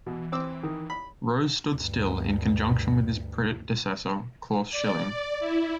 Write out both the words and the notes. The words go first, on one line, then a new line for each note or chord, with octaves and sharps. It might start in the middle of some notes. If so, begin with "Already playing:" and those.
Rose stood still in conjunction with his predecessor Claus Schilling.
B2 E3
C4 D6 E6
D#3
B5
D2 G2
D5
D5
E4